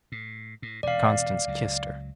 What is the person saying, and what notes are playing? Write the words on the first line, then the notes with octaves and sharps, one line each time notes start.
Constance kissed her.
A2
A2
E1 C3 D5 F5
C#2 F#3